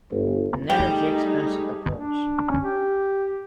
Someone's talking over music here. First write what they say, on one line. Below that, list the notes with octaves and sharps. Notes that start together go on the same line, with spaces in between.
An energy-expensive approach.
G1
G3 A3 D#4 G4 G#4 G5
D4
C#4
G4